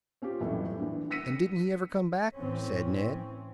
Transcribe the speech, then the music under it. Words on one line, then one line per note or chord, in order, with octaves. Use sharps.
"And didn't he ever come back?" said Ned.
C4 C#4 F4 G4
F2 A2 E3 F#3 G3 A3
D3 E3
E6 A#6 B6 C#7 D#7
A2 E3 C4 C#4